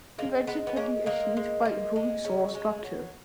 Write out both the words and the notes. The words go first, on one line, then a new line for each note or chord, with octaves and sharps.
Prevention can be achieved by improving soil structure.
G#3 A#3
G#3 B3
B3
G#3 A#3 C#4
G#3 A#3
G#3
G#3
G#3
C#3
G#3
F#3